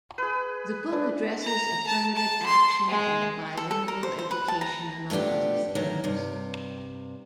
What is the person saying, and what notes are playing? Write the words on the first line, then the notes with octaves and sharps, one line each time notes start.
The book addresses affirmative action and bilingual education, among other themes.
G#4 B4
D4 B4
A#5
A5
A5
C6
G#3
A4
A4
A#4
C5
C5
B4
A5
A#5
F3 A3 B3 D4 G4
D2 D#3 E3 F#3 A#5
G2 C3